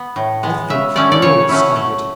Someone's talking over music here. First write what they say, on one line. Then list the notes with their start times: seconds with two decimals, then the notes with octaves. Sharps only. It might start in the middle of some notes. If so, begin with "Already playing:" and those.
I think we were all staggered.
Already playing: B3
0.16 A2
0.43 G#3 B3
0.70 C#3 E5
0.96 F#3 A3 C#4 E4 D5
1.12 D5
1.22 C#3 C#5
1.49 F#3 A3 C#4 E4
1.76 F#3